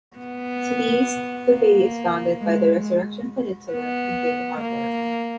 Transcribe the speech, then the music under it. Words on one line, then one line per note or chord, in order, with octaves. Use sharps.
To the east, the bay is bounded by the Resurrection Peninsula and Day Harbor.
B3
A#3
G#3
B3
A#3